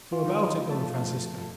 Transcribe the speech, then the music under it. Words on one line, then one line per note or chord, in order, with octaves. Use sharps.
So about it, Don Francisco.
F4
D#3 D#4
F3 A3 A5